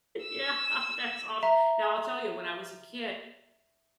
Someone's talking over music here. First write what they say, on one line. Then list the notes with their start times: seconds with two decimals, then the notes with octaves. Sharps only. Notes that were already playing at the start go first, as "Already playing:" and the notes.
Yeah, that's awes Now, I'll tell you, when I was a kid,
0.23 E6
1.43 E5 A#5